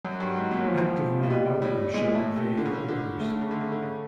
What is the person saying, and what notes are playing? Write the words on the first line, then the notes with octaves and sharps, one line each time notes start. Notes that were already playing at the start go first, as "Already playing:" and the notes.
Active men about him shouted vague orders.
F#2 F#3
G2
G#2
A#2
F3
A#2
B2 G3
A2
A#2 G#3
A2 A3
C3 A3
D3
C#3
D3
D3
C#3 A3
D3
C#3
D3
C#3
D3
C#3